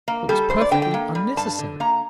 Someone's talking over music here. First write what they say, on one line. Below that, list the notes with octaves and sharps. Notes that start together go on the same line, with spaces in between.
It was perfectly unnecessary.
A#3
G3 A4
G2 C5
D5
D3 G5
G5
A#3
G3
G2 A5
D3
A#3 A#5